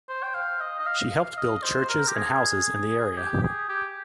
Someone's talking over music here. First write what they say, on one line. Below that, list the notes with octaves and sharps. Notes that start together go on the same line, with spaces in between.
She helped build churches and houses in the area.
C5
G5
F5
D#5
D#5
F5
F5
D#5
C5
A#4
G4
G#4
G#4
G4
G#4
G4